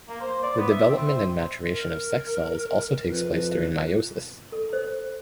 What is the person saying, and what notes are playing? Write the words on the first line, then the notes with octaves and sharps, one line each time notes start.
The development and maturation of sex cells also takes place during meiosis.
A#3
C5
D5
B3
E5
C4
C5
A#4
F2 B4
A4
C5